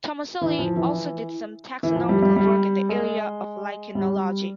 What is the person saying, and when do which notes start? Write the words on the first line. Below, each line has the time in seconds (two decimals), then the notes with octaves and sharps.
Tomaselli also did some taxonomical work in the area of lichenology.
0.41 E3
0.59 F3
0.77 E3
1.83 E3
1.96 F3
2.09 G3
2.22 G3
2.36 G3
2.89 G#3
3.95 G3